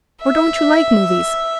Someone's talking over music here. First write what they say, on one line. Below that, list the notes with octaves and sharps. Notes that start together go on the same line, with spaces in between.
Or don't you like movies?
E5